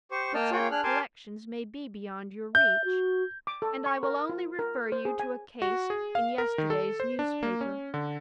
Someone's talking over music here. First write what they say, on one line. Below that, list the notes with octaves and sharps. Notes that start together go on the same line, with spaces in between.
But such collections may be beyond your reach; and I will only refer you to a case in yesterday's newspaper.
G4 C5 C#6
A#3 D#5 G5 A5 F6
A#3 F4 G#4 C#5 G5
D4 G#4 F6 F#6
G4 A#4 G#5 A5 C6 D6
E5 G6
F#4
D6
A4
C#6
A#4
F4
A#4
C5
G#4
G#5
F#4
G#4
F5
A#4
D#3
A4
C5
D4
A#3
C#4
D3